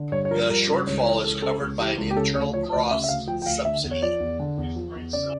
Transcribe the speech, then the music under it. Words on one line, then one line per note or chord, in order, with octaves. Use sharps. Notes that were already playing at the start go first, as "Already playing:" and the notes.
The shortfall is covered by an internal cross subsidy.
Already playing: D3
G2 C#5
C#5
F3 A#4
G2 A#4
C#3
C#2 C#5
E3 C#5
C#2 A4
C#3 A4
C#2
E3 G4
C#2
G4
C#3 A4
D2 C#5
F3 C#5
D2 D5
C#3 E5
E5
D2 F5
F3 G5
G5
D2 F5
D3 E5
E2
C#5
F3 D5
E2
D3
E2
F3
E2
C#3 D5